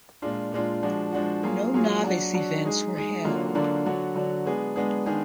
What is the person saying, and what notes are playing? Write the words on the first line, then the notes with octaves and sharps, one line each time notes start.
No novice events were held.
A#2 G#3 D4 F4
A#2 G#3 D4 F4
F3 G#3 D4 F#4
F3 G#3 D4 F#4
F#3 A#3 F4 G#4
F#3 A#3 F4 G#4
F#3 D4 F#4
F#3 D4 F#4
G#3 D#4 G#4
G#3 D#4 G#4
D3 F#3 A#3 D4 F4
D3 F#3 A#3 D4 F4
D3 F#3 D4 F#4
D3 F#3 D4 F#4
G#3 B3 D4 G#4
G#3 B3 D4 G#4
D#3 G#3 B3 D4 G#4